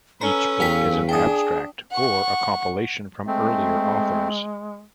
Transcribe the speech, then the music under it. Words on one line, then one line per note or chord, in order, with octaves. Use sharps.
Each book is an abstract or a compilation from earlier authors.
C#4 A4 B4 A#5
E2 F5 G5 B6
D4 G#4 G5 D#6
F#5 C#6
G#3 A3 C4